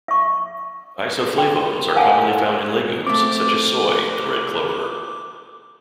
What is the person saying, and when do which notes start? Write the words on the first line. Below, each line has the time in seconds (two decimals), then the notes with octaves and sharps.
Isoflavones are commonly found in legumes such as soy and red clover.
0.08 E5 C#6
1.38 G5
1.95 A#4 F5 F#5 G#5 A5
3.07 A3 C4 D6